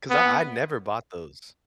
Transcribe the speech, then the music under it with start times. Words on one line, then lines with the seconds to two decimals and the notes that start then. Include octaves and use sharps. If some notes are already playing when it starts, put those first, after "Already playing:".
'Cause I I never bought those.
0.10 B3